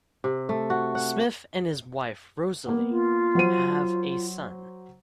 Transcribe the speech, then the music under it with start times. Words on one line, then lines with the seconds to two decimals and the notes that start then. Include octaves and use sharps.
Smith and his wife Rosalynn have a son.
0.24 C3
0.49 A3
0.70 F#4
0.95 F#5
2.66 A#3 B3
2.90 F4
3.35 F#3 C5 D#7